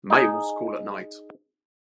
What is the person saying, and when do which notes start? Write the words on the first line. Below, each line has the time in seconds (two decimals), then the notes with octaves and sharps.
Males call at night.
0.10 D#4 G#4